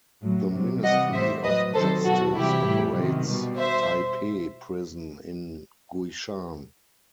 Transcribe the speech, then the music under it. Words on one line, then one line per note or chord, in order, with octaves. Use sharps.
The Ministry of Justice operates Taipei Prison in Guishan.
A2 F#3
C3 F#3
C3 E3 G3 D#5 F#5
A2 G3 C5 E5
A2 F#3 B4 D#5
C3 D#3 F#3 A4 C5
B2 F#3 F#4 A4
C3 E3 G3 E4 G4
A2 E3 G3
C3 D#3 F#3
B2 G3
C5 E5